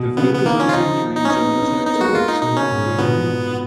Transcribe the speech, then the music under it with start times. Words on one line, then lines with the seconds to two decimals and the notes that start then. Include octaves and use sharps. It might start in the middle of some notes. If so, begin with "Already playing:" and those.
The Vega's aluminum engine was notorious for buckling and leaking.
Already playing: B2
0.17 C#3 B3
0.35 B3
0.46 D#3 A#3
0.60 F3 C#4
0.69 F4
0.73 F3 D#4
1.15 D#4
1.25 C#4
1.30 B3 D#4
1.41 C#4
1.51 B3
1.62 C#4
1.73 B3
1.87 B3 D#4
1.95 A#3
2.01 G#3 F#4
2.13 A#3 F4
2.28 D#4
2.42 B2 D#4
2.57 C#4
2.71 G#2
2.85 A#2
2.98 B2 B3